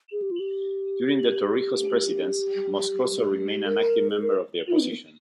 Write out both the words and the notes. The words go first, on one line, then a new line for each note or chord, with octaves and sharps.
During the Torrijos presidency, Moscoso remained an active member of the opposition.
G#4
G4
F4
G4
A#4
G#4
A#4